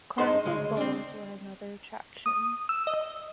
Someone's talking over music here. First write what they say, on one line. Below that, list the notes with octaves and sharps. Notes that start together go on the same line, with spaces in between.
Carnival balls were another attraction.
G2 G#3 D#4 C5 C6
D2 C#3 G#3
C4 D4
D#6
E6
D#5